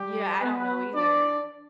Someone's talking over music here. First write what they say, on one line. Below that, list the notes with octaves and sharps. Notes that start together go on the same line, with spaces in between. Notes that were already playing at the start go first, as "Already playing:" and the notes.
Yeah, I don't know either.
Already playing: G3 G4
B3 B4
D4 D5